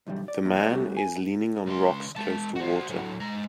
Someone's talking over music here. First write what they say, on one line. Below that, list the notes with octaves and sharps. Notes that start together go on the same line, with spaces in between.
The man is leaning on rocks close to water.
B1 E2 D3 G3
D5
E2 G2 A#2
G#3 C5 D5
G3 A3 C#4 F#4 G4
G#5
C#2 C6
G#3 A5
F#4 C5
A2 F#3
G#3 A#5